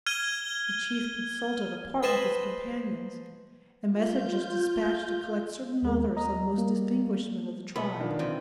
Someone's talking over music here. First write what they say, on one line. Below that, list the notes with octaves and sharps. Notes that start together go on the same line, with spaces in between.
The chief consulted apart with his companions, and messengers despatched to collect certain others of the most distinguished men of the tribe.
F6 G#6 D#7 G7
B4 C5 D#5 G#5 A5 B5
F4 G6
D#2 G#3 A#4
D#5 A#5
G3 A#3
B1 B3 B5
D#3 D4 F4
C3 E3